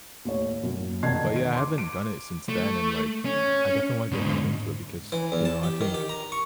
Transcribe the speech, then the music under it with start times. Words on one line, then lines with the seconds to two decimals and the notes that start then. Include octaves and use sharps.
But, yeah, I haven't done it since then, and, like, I definitely wanna get back into it because, you know, I think
0.25 D#2 A2 C#5
0.63 F#2 A#3 C#4
1.03 F1 D3 D#3 A5 G#6 C7
1.36 D7
1.55 C6 D6
1.78 D7
2.49 A3
3.25 C#4
4.12 G#2 D3
5.12 E3
5.32 E2
5.45 A5
5.64 G4
5.81 D#3
5.94 G4
6.09 A#5
6.32 C#6